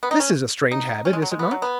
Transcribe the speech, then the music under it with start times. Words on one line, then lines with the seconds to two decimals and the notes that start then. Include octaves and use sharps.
This is a strange habit, is it not?
0.03 B3
0.11 D#4
0.20 C#4
0.71 D#4
1.05 C#4
1.13 G#3
1.22 F#3
1.31 G#3
1.39 B3
1.51 F#3
1.62 B3